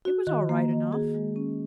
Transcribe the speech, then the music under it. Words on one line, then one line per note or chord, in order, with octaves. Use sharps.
It was all right enough.'
F#4
D#3
A#3
D#5
G#4
G#3
C#4